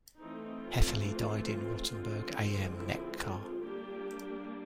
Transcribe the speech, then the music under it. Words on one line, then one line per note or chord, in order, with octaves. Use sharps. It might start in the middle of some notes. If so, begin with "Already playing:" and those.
Hefele died in Rottenburg am Neckar.
E3 A3 C4 D#4
F4
F4
D3 F3 G#3 C4
E4
F4
G3 A#3 D4 G4